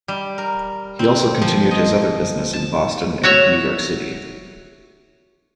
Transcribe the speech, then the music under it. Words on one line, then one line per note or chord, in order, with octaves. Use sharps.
He also continued his other business in Boston and New York City.
G3
A#4
C4
F3
D#5
A5
F#4 C#5 E5